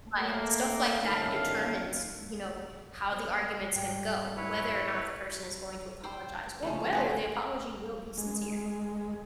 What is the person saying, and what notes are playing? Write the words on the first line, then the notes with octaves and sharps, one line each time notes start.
Like, stuff like that determines, you know, how the argument's gonna go, whether or not the person is going to apologize or whether the apology will be sincere.
A3 A#3
G1 D#3 C#4 E4 A4 F5
B3 C5
G#2 G3 G5
E4 B4 C#5
C5 G5
C#3 F3 A3
A3 C4 F#4 G#4
G#3